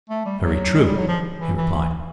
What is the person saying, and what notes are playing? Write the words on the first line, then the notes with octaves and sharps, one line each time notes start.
"Very true," he replied.
A3
G3
F#3
G#3
G3
F#3
F3
E3
E3